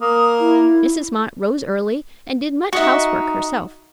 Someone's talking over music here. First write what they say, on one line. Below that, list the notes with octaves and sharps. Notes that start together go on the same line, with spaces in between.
Mrs. Mott rose early, and did much housework herself.
A#3 D#6
E4
D#4 F#4 D#5 E5